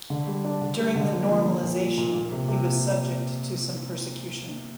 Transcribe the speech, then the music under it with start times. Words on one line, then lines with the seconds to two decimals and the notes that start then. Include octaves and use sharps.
During the Normalization he was subject to some persecution.
0.10 D3
0.27 G3
0.44 D4
0.62 D3
0.78 G3
0.95 D3
1.12 A#3
1.29 F3
1.46 F3
1.63 A#2
1.80 A#2
1.98 A#2
2.14 A#3
2.32 C3
2.48 C3